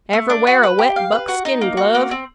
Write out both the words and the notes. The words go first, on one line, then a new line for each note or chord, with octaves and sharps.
Ever wear a wet buckskin glove?
A3
D4
F#4
B4
G4
F5
B4
F#4
D#4
A#3
F#4
A#3
C4